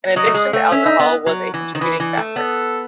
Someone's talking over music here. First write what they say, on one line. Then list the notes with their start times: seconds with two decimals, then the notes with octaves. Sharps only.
An addiction to alcohol was a contributing factor.
0.16 F#3 D#5
0.26 A3
0.34 G#3
0.53 A3
0.71 C#4 E5
0.86 D#4
0.99 B3
1.26 F#3
1.54 E3
1.75 D#3
1.81 E3 B4
2.00 E3
2.17 A3
2.36 B3 A4